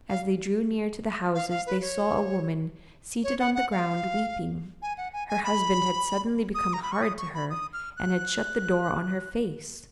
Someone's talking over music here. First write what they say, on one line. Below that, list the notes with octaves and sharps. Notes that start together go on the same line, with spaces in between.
As they drew near to the houses they saw a woman seated on the ground, weeping; her husband had suddenly become hard to her and had shut the door on her face.
F5
F5
F5
B4
C#5
C#5
F#5
F#5
F5
G#5
F#5
G#5
G#5
B5
D#6
A#5
B5
C#6
D#6
C#6
B5
D#6
F6
F#6